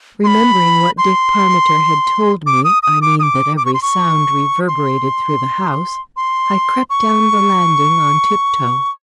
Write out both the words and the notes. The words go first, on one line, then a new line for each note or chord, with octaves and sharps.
Remembering what Dick Parmiter had told me, I mean that every sound reverberated through the house, I crept down the landing on tiptoe.
C6
B5
C6
D6
D#6
D#6
D6
D#6
D6
D6
C#6
C6
C#6
C6
C6
C#6